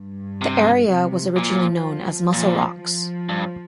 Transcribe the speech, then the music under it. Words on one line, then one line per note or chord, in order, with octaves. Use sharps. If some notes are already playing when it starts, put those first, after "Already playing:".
The area was originally known as Mussel Rocks.
Already playing: G2
C3
C3
A#2 F3
A#2 F3
F3
G2